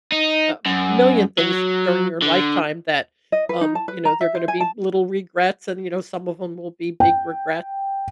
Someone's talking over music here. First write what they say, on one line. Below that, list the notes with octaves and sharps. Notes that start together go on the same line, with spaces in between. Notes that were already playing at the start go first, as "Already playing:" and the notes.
a million things during your lifetime that, um, you know, they're gonna be little regrets, and, you know, some of 'em will be big regrets,
D#4
F#2
F#3
D3
D#5
B4
D#4
A5
B4
A#5
E5
C5
G#5
A5
G5